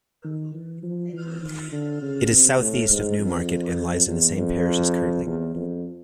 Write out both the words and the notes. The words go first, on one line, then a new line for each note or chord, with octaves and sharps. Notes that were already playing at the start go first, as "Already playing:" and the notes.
It is south-east of Newmarket and lies in the same parish as Kirtling.
D#3
E3
F3
E3
D#3
D3
C#3
C3
A2
G#2
F2
E2
F2
E2
F2